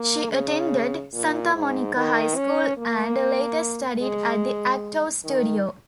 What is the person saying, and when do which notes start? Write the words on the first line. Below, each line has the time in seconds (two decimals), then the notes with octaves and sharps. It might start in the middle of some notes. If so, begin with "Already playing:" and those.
She attended Santa Monica High School and later studied at the Actors Studio.
Already playing: A#3
0.31 C#3
1.13 A#2
1.54 G#2
1.96 D#3
2.36 C#4
2.77 A#3
4.01 G#3
5.24 D#3